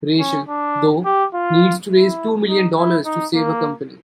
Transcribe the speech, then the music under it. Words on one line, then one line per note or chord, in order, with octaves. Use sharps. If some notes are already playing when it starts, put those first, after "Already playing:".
Rachel, though, needs to raise two million dollars to save her company.
C#4
D4
G4
F4
E4
D#4
E4
D#4
A#3